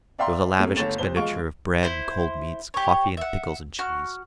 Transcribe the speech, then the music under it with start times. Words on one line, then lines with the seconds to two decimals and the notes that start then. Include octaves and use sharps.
There was a lavish expenditure of bread and cold meats, coffee, and pickles and cheese.
0.19 D5 E5 F5 G5 A#5 C6
0.59 C3 A3 A#3 C#4
0.76 G1 A3 C#5 A6 E7
0.98 C2 C5 G7
1.16 E1 F3 G#3 F5 C#6 D7
1.83 E4 C5
2.74 G4 C#5
3.17 E5 F#5
3.79 F#4 F6